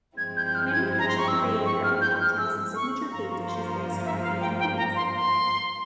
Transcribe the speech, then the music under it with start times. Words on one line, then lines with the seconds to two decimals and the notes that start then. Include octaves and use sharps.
Many eventually created their own cocktails and signature food dishes based on Asian themes.
0.17 G2 F3 G#3 C4 E4 G#6
0.37 G6
0.47 G6
0.55 F6
0.73 G#6
0.99 A#5
1.08 C6
1.18 C#6
1.28 E6
1.66 C#6
1.84 F6
2.01 G6
2.21 F6
2.38 E6
2.76 C#6
3.12 G2 F3 A#3 A#5
3.31 C#6
3.42 A#5
3.48 C6
3.67 C6
4.05 E5
4.22 F5
4.41 G5
4.59 G5
4.77 A#5
4.96 C6
5.14 C6